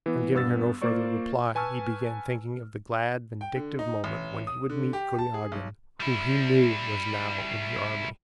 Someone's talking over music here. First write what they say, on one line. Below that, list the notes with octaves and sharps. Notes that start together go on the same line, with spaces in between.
And giving her no further reply, he began thinking of the glad vindictive moment when he would meet Kuragin who he knew was now in the army.
E3 B3
G2 B3 E6 A6
A#3 F4 C5 D5 C#6
B4 G#5 A5 C#6 E6 F6
G5
D3
D#4
A1
D#6
D3
G4
A5
G#4
B1
G3 E4